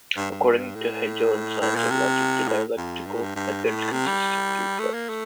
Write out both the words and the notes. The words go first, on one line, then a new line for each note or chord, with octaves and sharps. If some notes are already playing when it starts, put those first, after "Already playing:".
According to Hegel in "Science of Logic", the dialectical methods consists of three steps.
G2
G2
A2
A2
A#2
C3
A2
F2
G2
A2
G2
G2
A2
C3
G3
A3
A#3
A3